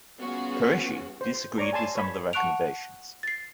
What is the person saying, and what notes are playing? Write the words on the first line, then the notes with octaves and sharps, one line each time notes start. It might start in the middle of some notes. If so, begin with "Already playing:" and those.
Qureshi disagreed with some of the recommendations.
G3 B3 C#4 F4 F#4 G#4
C5
C#5 D5 A#5
G#5 A5 C6
C#5 B5
F#5 A5 C#6 F#6 D7 F7
A6 C7